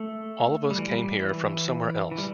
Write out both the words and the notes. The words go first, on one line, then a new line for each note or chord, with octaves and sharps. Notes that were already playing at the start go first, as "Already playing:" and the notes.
All of us came here from somewhere else.
Already playing: A3
G3
E3
G3
E3
E3
G3